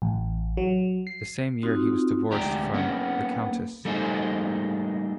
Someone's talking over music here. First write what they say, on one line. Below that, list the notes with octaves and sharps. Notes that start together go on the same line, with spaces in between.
The same year he was divorced from the Countess.
A1
F#3
C7
C4 D#4 F4 F#4
D2 G#3 G4 D5 A#5
A#3 B3 C#4
G3 A3 A#3 D#4 G#4 C5